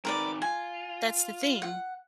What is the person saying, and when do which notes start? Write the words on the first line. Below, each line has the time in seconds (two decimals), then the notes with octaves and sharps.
that's the thing.
0.05 D#3 C4 A#4 B4 D5
0.42 F4 G#5
1.62 F#5